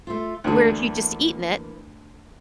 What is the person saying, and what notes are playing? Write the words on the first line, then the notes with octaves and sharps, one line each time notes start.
where if you'd just eaten it
A3 F4
D2 D3 E3 A#3